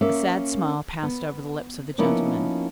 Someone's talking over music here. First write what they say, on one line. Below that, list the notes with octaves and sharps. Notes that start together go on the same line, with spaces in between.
A sad smile passed over the lips of the gentleman.
A#3 C#4 E5
B3
F3 A#3 B3 C#4 D#4 E4